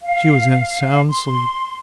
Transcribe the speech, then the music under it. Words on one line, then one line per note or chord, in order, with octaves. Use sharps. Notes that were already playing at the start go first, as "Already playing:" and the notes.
She was in a sound sleep.
F5
C6